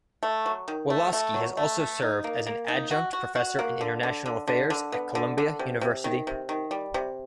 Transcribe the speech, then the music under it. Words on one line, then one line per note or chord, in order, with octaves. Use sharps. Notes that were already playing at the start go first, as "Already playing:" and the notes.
Wolosky has also served as an Adjunct Professor in International Affairs at Columbia University.
A3
F#3
D#3
A3
A3
F#3
A3
A3
D#4
A#3
A#3
D#4
F#4
F#4
F#4
A#3
D3
D3
D3
D3
D3
B3
D3
D3
C3
C3
D#3
C3
D#3
G3
C3